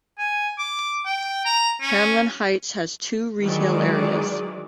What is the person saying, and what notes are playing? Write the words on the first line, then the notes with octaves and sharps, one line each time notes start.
Hamlyn Heights has two retail areas.
G#5
D6
G5
A#5
C#4
D#3 E3 F#3 G#3 G#4 D5